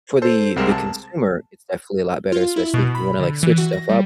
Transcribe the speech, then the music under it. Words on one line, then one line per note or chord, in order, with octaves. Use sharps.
for the the consumer, it's definitely a lot better, especially if you wanna, like, switch stuff up.
A4 C5
C2 G3 G#3 C4 A#4 E7
A5
F4
E4
B2
B5
D3
E3
F#4
A#6
G3